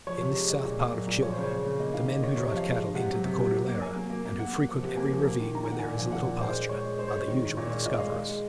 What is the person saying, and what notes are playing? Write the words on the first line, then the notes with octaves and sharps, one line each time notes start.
In this south part of Chile, the men who drive cattle into the Cordillera, and who frequent every ravine where there is a little pasture, are the usual discoverers.
F3 C#5
C3
G#3
G#3
A#2
A#3
F#3
A#2
F3 C#5
C#3 C5
C#5
C#3
C#3
A#3 D#5
D#3 F5
A#3 D#5
D#3 C#5
C3 C#5
D#5
F3 F5
G#3
G#3
C3 F#5
F#3
C3
C3
F#3
A#3
F#3 G#5
A#3
A#3
A#3
A#3 F#5
A#3
F3
C3
A#3 G#5
F3
A#3
D#3
D#3 A#5
G#5
D#3 F#5
A#2 G#5
F3
A#2 F#5
A#2
G#3 C5
G#3
G#3 C#5
G#3
G#3 C5
C#5
G#3 C5
D#3
D#3
A#2 C#5
G#3 C#5
A#2 D#5
G#3 F5
G#3 D#5
G#3